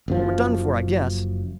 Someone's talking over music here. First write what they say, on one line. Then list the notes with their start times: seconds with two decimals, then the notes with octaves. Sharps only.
"We're done for, I guess."
0.08 F#1 F#2 F3